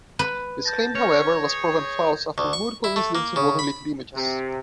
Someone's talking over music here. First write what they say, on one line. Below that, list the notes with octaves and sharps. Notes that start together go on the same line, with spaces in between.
This claim, however, was proven false after multiple incidents involving leaked images.
B4
A5 G6 A#6
C#4 C#5 G#6
G#4
D2
C#6
E4
A3
A#3
C#3
B5
C3